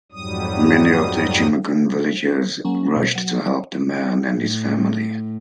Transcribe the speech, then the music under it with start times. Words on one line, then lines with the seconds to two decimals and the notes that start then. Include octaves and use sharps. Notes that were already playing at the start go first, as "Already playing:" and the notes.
Many of the Chimakum villagers rushed to help the man and his family.
0.12 F2 G#2 F#3 G3 D#6
2.65 F#3 G#3 A#3 C#4
2.96 B2
3.15 F#3
4.38 A2